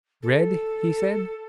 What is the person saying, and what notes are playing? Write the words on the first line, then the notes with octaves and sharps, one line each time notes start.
"Read?" he said.
A4